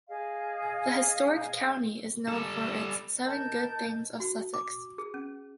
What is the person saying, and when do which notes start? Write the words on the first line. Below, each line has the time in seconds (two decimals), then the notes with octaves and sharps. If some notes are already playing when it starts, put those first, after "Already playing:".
The historic county is known for its "seven good things of Sussex".
0.07 G#4 D#5 F5
2.29 G3 A4
3.25 A#4 D#5 A5 G6
4.20 F#4
4.54 D6
4.98 G#4
5.14 C#4